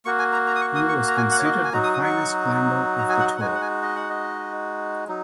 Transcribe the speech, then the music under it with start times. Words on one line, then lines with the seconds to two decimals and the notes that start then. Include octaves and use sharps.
He was considered the finest climber of the Tour.
0.05 A#3 F#4 C#6
0.19 G#5
0.33 A#5
0.47 A#5
0.56 D#6
0.61 C#6
0.75 D#6
0.89 C#6
1.08 A#5
1.17 G#5
1.31 F#5
1.39 C#5
1.45 D#5
1.64 G#5
1.72 F#3 D#4 F#4 A#5
1.84 D#6
1.94 D#6
2.04 C#6
2.98 A#5
3.09 G#5
3.20 F#5
3.30 D#5
3.36 F#5
3.40 G#3 D#4 F#4 G#5
3.55 F#5
3.61 G#5
3.83 D#5
3.96 F#5
4.10 D#5
5.08 F#3 D#4